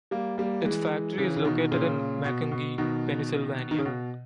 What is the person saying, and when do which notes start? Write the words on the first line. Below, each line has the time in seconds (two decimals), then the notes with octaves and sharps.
Its factory is located in Macungie, Pennsylvania.
0.11 G3 A#3
0.38 G3 A#3
0.65 E3 G#3
1.18 C#3 E3
1.36 C#3
1.44 B2 D#3
1.71 A#2 C#3
2.25 B2
2.52 B2
2.78 B2 D#3
3.71 D#3
3.78 C#3
3.85 B2